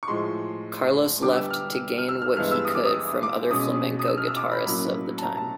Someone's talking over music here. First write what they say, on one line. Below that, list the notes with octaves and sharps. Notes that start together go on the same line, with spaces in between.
Carlos left to gain what he could from other flamenco guitarists of the time.
C#6
A2 F3 G#3 C6
D3 G3 B3 D4 D6
E6
F6
F6
E6
F6
G2 E3 G#3 B3 F6
E6
D#6
D6
D#6
D6
B2 G#3 C#4 D#6
D#6
E6
F6
E6
D6
B5
A2 F#3 A#3 C#4 B5
A5
A#5
A5